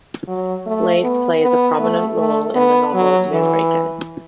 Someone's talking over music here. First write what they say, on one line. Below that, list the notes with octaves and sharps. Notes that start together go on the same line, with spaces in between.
Blades plays a prominent role in the novel "Moonraker".
F#3
A3
B3
B3
A3
A3
B3
F#3
E3